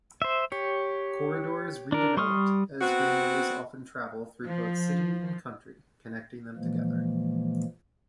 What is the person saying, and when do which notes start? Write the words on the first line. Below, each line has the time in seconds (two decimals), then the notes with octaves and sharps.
Corridors redeveloped as greenways often travel through both city and country, connecting them together.
0.22 C5 E5
0.52 G4 C#5
1.92 D4 A#4
2.17 G3 C6 C#6 D#6 F6
2.81 B3 C4 F#4
4.48 F3
6.56 A#2 E3 F3 G#3 A#3